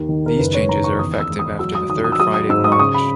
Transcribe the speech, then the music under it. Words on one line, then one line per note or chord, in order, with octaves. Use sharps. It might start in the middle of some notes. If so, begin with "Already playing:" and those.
These changes are effective after the third Friday of March.
Already playing: D#2
D#3
A#4
F#1 B4
C#5
D#3 A#5
C#6
E2 D#6
E6
G#3
D#6
F#3 E6
D#6
D#3 D#6
D#6
E6
F#3 D#6
D#6
G#2 E6
D#6
C#6
C#3 D#6
B5